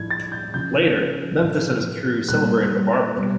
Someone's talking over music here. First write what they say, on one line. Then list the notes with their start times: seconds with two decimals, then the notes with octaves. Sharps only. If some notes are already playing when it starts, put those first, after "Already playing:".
Later, Memphis and his crew celebrate at a barbeque.
Already playing: A2 F3 G#6
0.10 A6
0.32 G6
0.54 C#3 F3 G6
1.41 A2 F3
2.28 A#2 G3 F#6
3.16 B2 G3